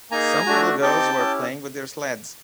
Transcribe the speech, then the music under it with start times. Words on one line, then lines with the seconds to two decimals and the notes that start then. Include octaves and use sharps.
Some little girls were playing with their sleds.
0.11 A#3 D#4 G#4 G#5 A#5
0.46 A3 D4 F#4
0.82 C4 D#4 G4 G5 A5
1.18 C#4 E4 G4